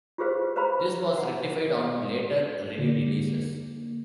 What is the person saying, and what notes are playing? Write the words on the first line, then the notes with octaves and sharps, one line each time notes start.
This was rectified on later re-releases.
F4 G4 G#4 B4 C5 F5
B4 C5 F5 A#5 B5
F#5
D3 A#3